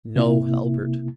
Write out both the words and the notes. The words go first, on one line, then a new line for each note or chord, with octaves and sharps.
No, Halbert!
C3 A#3 E4